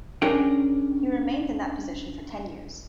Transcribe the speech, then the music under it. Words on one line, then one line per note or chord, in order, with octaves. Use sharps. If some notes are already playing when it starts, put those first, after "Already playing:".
He remained in that position for ten years.
C#4 D4 G#4 A#4 G5